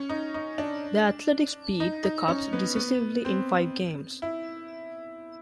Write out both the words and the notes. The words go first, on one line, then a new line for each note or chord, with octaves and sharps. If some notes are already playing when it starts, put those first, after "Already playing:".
The Athletics beat the Cubs decisively in five games.
Already playing: C#4
D#4
D#4
D4
D#4
D#4
C#4
B3
B3
C4
E4